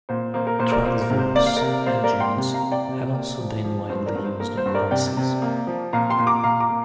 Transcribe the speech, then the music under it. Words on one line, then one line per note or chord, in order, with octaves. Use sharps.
Transverse engines have also been widely used in buses.
A#2 C5
A#3 C5
A#4
A#2 C5
A#4 D5
A#3 C5
A#4
C3
C5
A#3 D5
F5
C3 A#4 D5
A#3 C5 F5
A#4 D5
A#3
G5 C6
C3
F5 A#5
C3
D5 G5
C3
A#3
F3
F3
G2 C5
A#4 D5
G2
C5
A#3 A#4
C5
G2
A#4 D5
C3 D5 G5
C3
A#3
F3
A#2 F5 A#5
G5 C6
A#2
A#5 D6
A#2 F5 A#5
A#5 D6
A#3